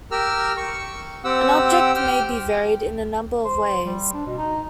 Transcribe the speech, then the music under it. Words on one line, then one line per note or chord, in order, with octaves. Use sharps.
An object may be varied in a number of ways.
G4 A#4 E6 F6
C#6
C4 G4 F#5 E6
G4 G5 F6
C5
G3
D4
B2
D#4